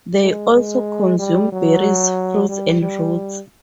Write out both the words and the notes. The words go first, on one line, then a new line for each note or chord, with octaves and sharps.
They also consume berries, fruits, and roots.
G#3
G#3
G3
F#3
G3
G3